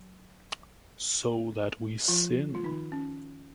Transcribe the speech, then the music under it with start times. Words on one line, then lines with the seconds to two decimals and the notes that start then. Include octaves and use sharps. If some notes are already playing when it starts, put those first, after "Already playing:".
So that we sin.
Already playing: F#3
2.08 F3 F4
2.55 F4
2.64 D#3 D#4
2.92 C#4